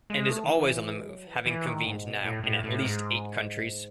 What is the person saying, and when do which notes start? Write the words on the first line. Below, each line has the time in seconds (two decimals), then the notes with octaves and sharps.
And is always on the move, having convened now in at least eight countries.
0.10 G#3
0.29 A3
0.44 D#3
0.49 E3
0.98 G#3
1.08 F#3
1.27 E3
1.46 E3
1.66 D#3
1.85 G#2
2.05 B2
2.24 A2
2.43 A2
2.64 A2
2.83 G#2